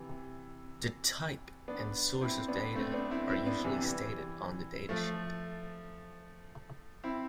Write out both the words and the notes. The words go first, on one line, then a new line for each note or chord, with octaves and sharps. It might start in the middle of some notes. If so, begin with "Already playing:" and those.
The type and source of data are usually stated on the datasheet.
Already playing: C3 E3
B3 D4
C4 E4
B3 D4
A3 C4
B3 D4
C4 E4
C4 E4
B3 D4
C3 E3
E3 G3
F3 A3
C4 E4